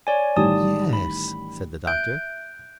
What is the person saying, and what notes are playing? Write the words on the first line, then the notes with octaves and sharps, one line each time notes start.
"Yes," said the Doctor.
C#5 D5 G#5
A1 D#3 G3 D5 A5 D#6
B5
E5 F#6 G6 D7